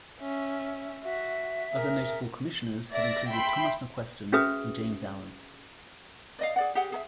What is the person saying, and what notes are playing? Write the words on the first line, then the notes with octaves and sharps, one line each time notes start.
Other notable Commissioners have included Thomas McQuesten and James Allan.
C#4 E5
F#4 E5
G#4 A#4
D5 E5 A#6
E5 G5 B5 C6
C#4 F#4 G#4 B4 E5 D#6
D5 D#5 F5
G#4 D5 F#5
G4 G#4 F#5
G#4 A4 E5